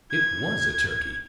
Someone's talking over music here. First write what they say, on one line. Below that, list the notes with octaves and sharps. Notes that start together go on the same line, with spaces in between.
It was a Turkey!
G#6